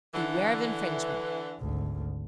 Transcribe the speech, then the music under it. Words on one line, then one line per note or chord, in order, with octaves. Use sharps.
Beware of infringements!
D3 E3
G#1 D2